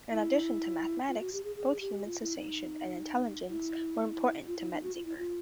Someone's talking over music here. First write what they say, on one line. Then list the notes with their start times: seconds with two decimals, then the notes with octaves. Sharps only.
In addition to mathematics, both human sensation and intelligence were important to Metzinger.
0.11 E4
1.08 F4
1.20 F#4
1.33 G4
1.44 G#4
1.56 G#4
1.80 G4
2.05 F4
2.21 E4
2.38 D#4
3.50 E4
4.47 F4
4.59 E4
4.72 D#4
4.83 F#4
4.95 F4
5.05 E4
5.18 F4